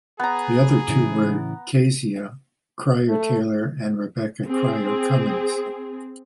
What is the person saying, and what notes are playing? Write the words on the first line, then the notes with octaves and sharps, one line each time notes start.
The other two were Kezia Cryer Taylor and Rebecca Cryer Cummins.
B3 G#4 A#5
A2 C#3 E3
A3
C4 G#4